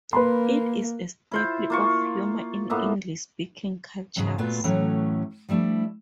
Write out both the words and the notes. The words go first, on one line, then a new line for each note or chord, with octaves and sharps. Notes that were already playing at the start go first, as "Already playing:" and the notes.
It is a staple of humour in English-speaking cultures.
A#3 B4 B5 C6
E4 F4 C5
A#3 F4 C#6
A2 A#3 B3 E5
E2 G#2 C#3 F#3 G#4
A#2 A3 B3 F4 F#4 B4
A2 E3 F#3 A3 C#4 A#5
F3 G3 A3 D4 E4